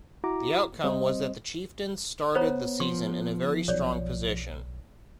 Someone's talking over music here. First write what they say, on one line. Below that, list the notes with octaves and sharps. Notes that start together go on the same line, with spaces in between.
The outcome was that the Chieftains started the season in a very strong position.
E4 F#4 A#5 D6
G3 C4 C5 D#5
B3 C5 C#5 A#5
F3 C6
B1 C#5 D5